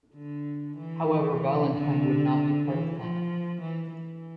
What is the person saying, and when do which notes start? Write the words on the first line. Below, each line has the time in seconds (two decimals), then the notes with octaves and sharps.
However Valentine would not be part of the lineup.
0.15 D3
0.78 E3
1.73 D3
2.67 E3
2.98 F3
3.61 E3
3.92 E3